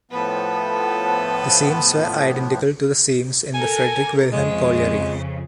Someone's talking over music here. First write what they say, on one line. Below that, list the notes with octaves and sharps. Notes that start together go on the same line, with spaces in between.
The seams were identical to the seams in the Friedrich Wilhelm colliery.
A2 F3 B3 A4 B4
A4 A#4 G#5
F2 C#3 G#3